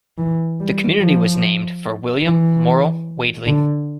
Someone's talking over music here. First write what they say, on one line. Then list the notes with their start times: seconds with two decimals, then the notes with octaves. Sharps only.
The community was named for William Morill Wadley.
0.18 E3
0.60 G3
1.00 F3
2.23 E3
3.46 D3